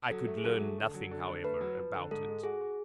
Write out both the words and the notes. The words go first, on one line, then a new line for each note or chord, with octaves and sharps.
I could learn nothing, however, about it.
F#3 A4
A3
G#4
F#3 A4
A3
D3
F#3
D3
D3
A3 B4
F#3
F3
D3
G#2 A4
G#3
F#4 G#4
F#4